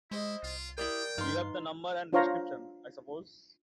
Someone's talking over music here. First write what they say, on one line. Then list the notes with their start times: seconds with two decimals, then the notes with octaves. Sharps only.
You have the number and description, I suppose?
0.11 G#3 E4 C5 D#5
0.43 C2 F4
0.78 E4 G4 A#4 D5 G5 D#6
1.18 G2 D#4 B4 F5 C6
2.13 D4 F4 C5 C#5 F5 A#5